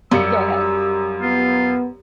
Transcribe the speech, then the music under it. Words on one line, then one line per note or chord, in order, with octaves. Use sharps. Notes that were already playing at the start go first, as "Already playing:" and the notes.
Go ahead.
F#2 G3 F5 E6 C#7
B3 F4